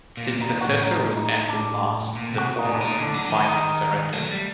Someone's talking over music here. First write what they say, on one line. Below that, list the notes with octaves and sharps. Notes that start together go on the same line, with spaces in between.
His successor was Andrew Moss, the former group finance director.
A#2
A#2 D#4
A2 F#4
D#4
D#4
D4
A#2
C3
F#4
D#4
A2
D4
A#2 D#4
D3
D4
F#3
D4
D#3
D#4
F#3 A3
G3